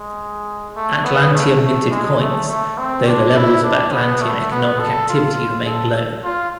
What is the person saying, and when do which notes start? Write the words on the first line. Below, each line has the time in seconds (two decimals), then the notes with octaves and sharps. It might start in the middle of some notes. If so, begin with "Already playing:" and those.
Atlantium minted coins, though the levels of Atlantian economic activity remained low.
Already playing: G#3
0.76 A3
1.04 B3
1.34 A3
1.62 A3
1.91 G#3
2.20 A3
2.49 A3
2.78 C4
3.07 D4
3.36 E4
3.64 D4
3.93 B3
4.22 A3
4.51 B3
4.79 A4
5.09 F4
5.66 A4
6.24 F4